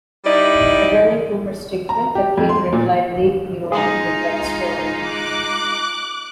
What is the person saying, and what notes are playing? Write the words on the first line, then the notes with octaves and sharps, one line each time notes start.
According to her statement, the King replied Leave me alone with that story.
G3 D#4 E4 D5
A#5
G4
F2
C6
A#2
G#3 D#4 F4 G#4
D6 F#6